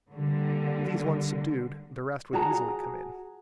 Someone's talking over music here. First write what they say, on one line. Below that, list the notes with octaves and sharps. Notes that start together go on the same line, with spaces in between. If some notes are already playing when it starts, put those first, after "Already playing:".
These once subdued, the rest would easily come in.
D3 G3 A#3
F#4 G#4 A5 A#5